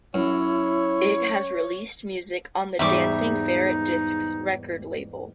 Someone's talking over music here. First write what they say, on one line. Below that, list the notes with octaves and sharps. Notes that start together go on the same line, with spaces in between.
It has released music on the Dancing Ferret Discs record label.
F#2 E4 C#5
E2 G#2 G3 D#4 E5 C#6 D6